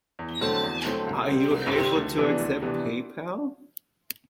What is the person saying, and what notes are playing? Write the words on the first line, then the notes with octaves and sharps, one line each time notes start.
Are you able to accept Paypal?
E2
D3 F#3 A3 C4
E2
D3 F#3 A3 C4
C2
C3 G3 C4
C2
C3 G3 C4
D2
C3 E3 B3 D4
D2
C3 E3 B3 D4